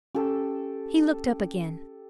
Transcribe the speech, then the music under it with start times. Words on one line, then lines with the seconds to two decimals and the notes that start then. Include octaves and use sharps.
He looked up again.
0.15 C#4 G4 A4 E6